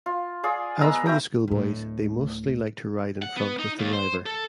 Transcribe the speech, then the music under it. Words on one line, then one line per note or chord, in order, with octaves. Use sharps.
As for the schoolboys they mostly like to ride in front with the driver.
F4
F4 G#4 D5
G#3 B3 A#5 E6
E4 F#4 G5 A#5
D1 A2
F#5
B3
D#4
D#2
C5
A4